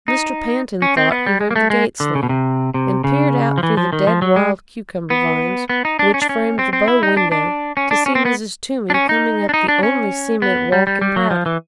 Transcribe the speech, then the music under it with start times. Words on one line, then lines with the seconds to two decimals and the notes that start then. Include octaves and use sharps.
Mr. Pantin thought he heard the gate slam and peered out through the dead wild-cucumber vines which framed the bow window to see Mrs. Toomey coming up the only cement walk in Prouty.
0.08 D#4
0.82 C#4
0.97 C4
1.11 B3
1.26 G3
1.41 G#3
1.51 A#3
1.56 A3
1.70 G#3
2.00 D3
2.15 C#3
2.23 B2
2.29 C3
2.74 C3
3.04 C#3
3.58 F3
3.63 E3
3.77 F3
3.93 D#3
4.07 F3
4.22 F#3
4.36 G#3
5.10 B3
5.69 B3
5.85 D#4
5.99 D4
6.14 C#4
6.22 D4
6.29 C#4
6.59 C4
6.73 C4
6.88 E4
7.03 D#4
7.17 D4
7.32 D4
7.77 C#4
7.91 D4
8.06 C#4
8.15 C4
8.25 B3
8.90 D4
8.94 C#4
9.09 D#4
9.49 D4
9.54 D#4
9.68 D4
9.83 C#4
10.42 B3
10.72 G3
10.87 G3
11.01 G3
11.16 F#3
11.31 F3
11.46 E3